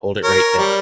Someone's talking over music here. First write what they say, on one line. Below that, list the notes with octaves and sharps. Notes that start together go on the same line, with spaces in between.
Hold it right there!
A#4 C#5
G3